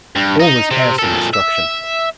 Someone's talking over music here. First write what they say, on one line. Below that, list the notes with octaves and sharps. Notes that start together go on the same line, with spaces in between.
All was chaos and destruction.
G2
D#4
C3
A#2 A4
E5